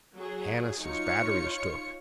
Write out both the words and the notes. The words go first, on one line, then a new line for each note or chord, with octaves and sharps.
"Hannises' batt'ry is took."
F#3 G#4
D#4 F4 C#5 C#7